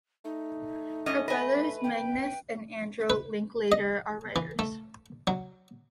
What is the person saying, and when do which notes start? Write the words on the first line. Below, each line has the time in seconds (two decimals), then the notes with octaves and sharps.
Her brothers Magnus and Andro Linklater are writers.
0.25 A3 D#4
1.06 G#2 C#4 D#5
1.28 B4 D#5 G#5
1.84 G5
3.10 B4
3.72 D#5
4.36 E3
4.59 A3
5.27 F#3